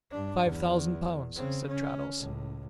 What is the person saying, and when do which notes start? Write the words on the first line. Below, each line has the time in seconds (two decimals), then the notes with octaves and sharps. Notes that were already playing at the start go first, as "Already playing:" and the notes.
'Five thousand pounds,' said Traddles.
0.11 G2 D4
0.42 E2
1.36 C#3 C4
1.67 C#4
2.16 C#2 A2